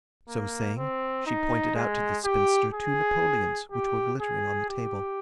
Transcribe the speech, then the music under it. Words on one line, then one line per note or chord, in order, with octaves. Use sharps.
So saying, she pointed out to the spinster two napoleons which were glittering on the table.
A#3
C4
D#4
G#3
G4
G#4
G4
G#4
G4